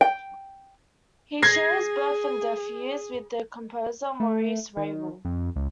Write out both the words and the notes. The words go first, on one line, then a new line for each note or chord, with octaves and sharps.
He shares birth and death years with the composer Maurice Ravel.
G5
G#4 G#6 A#6 C7
A3
D#3
F2
C#2